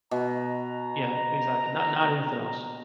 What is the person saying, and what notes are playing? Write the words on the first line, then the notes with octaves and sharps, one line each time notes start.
Yeah, exactly, not not anything else.
B2 A#5